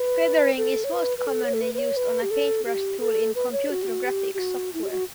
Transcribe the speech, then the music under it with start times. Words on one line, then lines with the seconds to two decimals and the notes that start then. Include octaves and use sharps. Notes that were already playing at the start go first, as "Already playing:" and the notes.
Feathering is most commonly used on a paintbrush tool in computer graphics software.
Already playing: B4
0.58 A4
0.84 C#5
0.93 B4
1.18 B4
1.27 A4
1.44 C#5
1.54 A4
1.62 B4
1.74 B4
1.78 C#5
1.97 B4
2.22 G4
2.31 A4
2.66 G4
3.00 A4
3.35 B4
3.53 C#5
3.70 F#4
3.82 G4
3.87 F#4
4.04 G4
4.34 G4
4.39 F#4
4.74 E4
4.83 G4
4.91 F#4